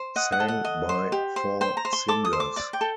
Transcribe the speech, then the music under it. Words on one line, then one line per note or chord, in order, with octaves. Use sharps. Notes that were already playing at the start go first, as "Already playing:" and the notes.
Sang by four singers.
Already playing: C5
D#5 F#5
F#5
A4
F#5
D#5
C5
G4
C5
C5 G5
A#5
C5
C6
A4 D6
D#6
C5
D6
D5 D6
G5
A4